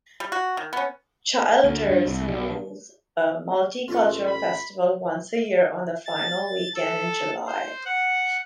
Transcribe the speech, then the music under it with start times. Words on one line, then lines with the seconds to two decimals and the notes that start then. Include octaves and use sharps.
Childers holds a Multicultural Festival once a year on the final weekend in July.
0.20 G3
0.32 F#4
0.57 D#3
0.73 B3 C#4
1.64 D2
1.87 G2
2.05 C2
2.28 B1
3.88 A1 F4 A4 C#6
4.27 B5
6.05 A6
6.75 A4
7.47 C5
7.85 F#5